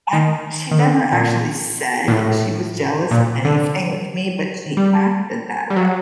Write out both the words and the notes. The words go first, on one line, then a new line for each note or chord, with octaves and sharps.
uh, I thought she never actually said she was jealous of anything with me, but she acted that way.
D#3
D#3
D3
A#2
A#2
A2
A#2
D3
G3
G3
F#3